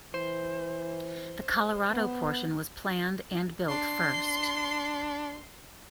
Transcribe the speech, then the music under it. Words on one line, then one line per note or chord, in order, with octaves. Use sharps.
The Colorado portion was planned and built first.
E3 C5
B3
D4 C6